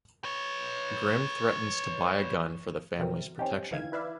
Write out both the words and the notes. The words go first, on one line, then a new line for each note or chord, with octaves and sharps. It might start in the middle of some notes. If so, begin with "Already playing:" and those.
Grim threatens to buy a gun for the family's protection.
B4 C#5
B2 D3 E3 F#3 C4 A#4
C4 C#4 D#4 G4
D3 E3 D#4 F5 G#6
E4 B4 D5 E5 F5